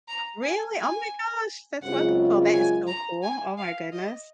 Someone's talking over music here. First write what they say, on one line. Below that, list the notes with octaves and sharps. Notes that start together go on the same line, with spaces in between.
Really? Oh my gosh, that's wonderful. That is so cool. Oh my goodness,
A#5
G#5
G#5
F#2 C#3 G#3 C4 F4 F#5
G#5
A#5
G#5
F5
D#5